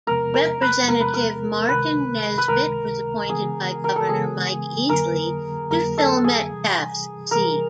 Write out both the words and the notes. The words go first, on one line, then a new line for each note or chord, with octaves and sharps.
Representative Martin Nesbitt was appointed by Governor Mike Easley to fill Metcalf's seat.
E2 C3 F3 G#3 B3 A#4
A#4
B4
E2 C3 F3 G#3 B3 A#4
B4
A#4
C#2 C3 D#3 G#3 B4
B4
C#2 C3 D#3 G#3 A#4
C#3 E3 G#3 B3 G#4
A#4
A4
C#3 E3 G#3 B3 G#4
F2 D3 F#3 A#3 A#4
F2 D3 F#3 A#3 A#4
A4
G#4
C3 E3 G3
C3 E3 G3 A#4